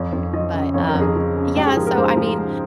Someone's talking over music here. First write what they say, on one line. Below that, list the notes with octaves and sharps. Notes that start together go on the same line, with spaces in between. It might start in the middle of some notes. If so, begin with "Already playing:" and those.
But, um, yeah, so, I mean,
Already playing: F2 C#5
F2
F3 D#5
C#3
F2 C#5
A#4
F2
G#4
F3
C#3
G#2 G4
G#4
F3 A#4
A#4
G#2 C5
F3
G#2